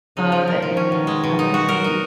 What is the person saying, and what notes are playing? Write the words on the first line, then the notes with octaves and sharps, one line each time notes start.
uh, and I wanna say
C#3 D#4
F3
D#3 A#4
F3
C#4
B2
G#3
B2
D#4
F#4
A#4
D#4